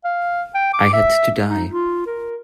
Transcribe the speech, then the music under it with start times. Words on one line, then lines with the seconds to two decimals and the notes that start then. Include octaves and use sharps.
I had to die.
0.04 F5
0.54 G5
0.73 D6
0.93 E5
1.50 D#4
1.70 F4
2.06 A#4